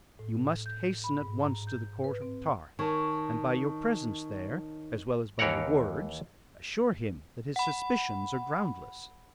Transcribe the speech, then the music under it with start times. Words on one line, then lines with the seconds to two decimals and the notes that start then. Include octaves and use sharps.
You must hasten at once to the court of Ptarth, and by your presence there as well as by your words assure him that his suspicions are groundless.
0.19 A2
0.66 G6
1.04 B5
1.21 G#2
1.41 A#5
1.67 G6
2.04 B4
2.22 C4
2.79 D#3 C#5 G#5 A5
5.39 D#2 E3 A#4 C#5 F#5 A#5
7.56 F#5 B5